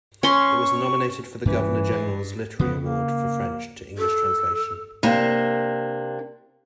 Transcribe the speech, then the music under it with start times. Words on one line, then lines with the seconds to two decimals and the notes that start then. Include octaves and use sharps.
It was nominated for the Governor General's Literary Award for French to English translation.
0.23 C#4 C6 C#6
1.45 G2 E3 C#4
1.92 G2
2.59 C#3 B3
2.80 A#3
3.98 A4
5.03 C3 A#3 D4